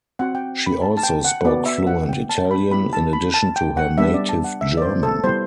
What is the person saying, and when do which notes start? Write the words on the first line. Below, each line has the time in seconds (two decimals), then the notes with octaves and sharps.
She also spoke fluent Italian in addition to her native German.
0.19 C4 F#4 F#5
0.35 G5
0.66 B5
0.82 A5
0.97 A5
1.03 G5
1.25 F#5
1.45 B3 F#4 D5
1.66 E5
1.87 F#5
2.09 G5
2.29 A5
2.51 B5
2.71 B3 E4 G4 B5
2.93 A5
3.13 B5
3.34 A5
3.56 G5
3.77 F#5
3.98 G3 B3 D4 E5
4.14 D5
4.29 A5
4.44 F#5
4.61 E5
4.77 D5
4.82 C5
5.03 A4
5.24 G3 B3 E4 C5